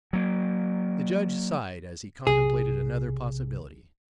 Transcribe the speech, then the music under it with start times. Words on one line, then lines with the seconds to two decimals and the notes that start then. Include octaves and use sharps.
The judge sighed as he contemplated another possibility.
0.13 F#3 A#3
2.27 B1 C3 G#4